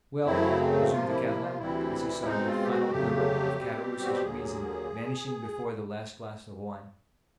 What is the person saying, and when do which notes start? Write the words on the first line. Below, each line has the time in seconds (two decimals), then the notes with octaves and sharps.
"Well!" resumed the Catalan, as he saw the final glimmer of Caderousse's reason vanishing before the last glass of wine.
0.25 F#2 C#3 F#3 A3 C4 E4
0.91 C3 F3 A#3 F4
1.08 E4
1.25 E4
1.41 F4
1.59 D2 C3 E3 G3 C4 E4
2.24 B2 G#3 C4 D#4
2.46 F4
2.62 G4
2.69 F#4
2.90 F2 C#3 F#3 A3 G4
3.57 B2 G3 C4
4.02 F#4
4.13 G4
4.23 D#2 D3 F#3 A#3 G#4